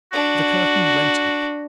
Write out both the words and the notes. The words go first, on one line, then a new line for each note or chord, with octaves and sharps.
The curtain went up.
D4 F#4